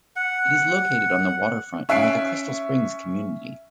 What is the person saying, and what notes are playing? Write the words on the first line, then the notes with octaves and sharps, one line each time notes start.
It is located on the waterfront near the Crystal Springs community.
F#5
C#4 E5 F#6 C7 D7